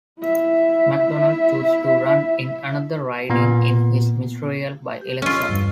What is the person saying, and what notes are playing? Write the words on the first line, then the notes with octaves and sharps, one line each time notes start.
Macdonald chose to run in another riding in his ministerial by-election.
E4 E5
A#2 B3
G4
C#4 F4 C#5 D#5 E6
E2 G2